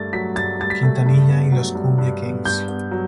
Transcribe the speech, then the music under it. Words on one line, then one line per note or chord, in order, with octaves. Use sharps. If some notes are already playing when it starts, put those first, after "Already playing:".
Quintanilla Y Los Kumbia Kings.
Already playing: G2 A3 A6
F#3 B6
G2 A6
G2 A6
B6
A3
G2
B3
F#3
G2
G2
B3
G2 G6
B3
F#3